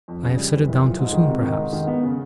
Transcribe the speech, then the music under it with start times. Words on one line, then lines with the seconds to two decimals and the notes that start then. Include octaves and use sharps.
I have set it down too soon, perhaps.
0.08 F2
0.23 C#3
0.37 G3
0.52 E2
0.68 F#1
0.82 F3
0.98 G#2
1.13 D#3
1.28 C3
1.43 D#3
1.57 G#2
1.73 D#3
1.87 B3
2.03 C#3